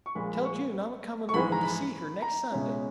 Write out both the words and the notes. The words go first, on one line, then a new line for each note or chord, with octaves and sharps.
"Tell June I'm a-comin' over to see her next Sunday."
C#6
A#1 A#2 G#3 B5
B5
C#6
C#6
A#1 G#2 E3 G#3 B5
A#5
B5
A#5
C#2 B2 G#3 C#4 E5